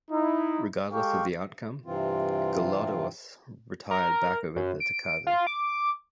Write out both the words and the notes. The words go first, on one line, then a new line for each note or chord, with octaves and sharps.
Regardless of the outcome, Gelawdewos retired back over the Takaze.
D#4 E4
G#3 G4 A4 F5 G5 C#6
G2 C3 E3 C4 F4
A#4
F#2
D7
F4
D6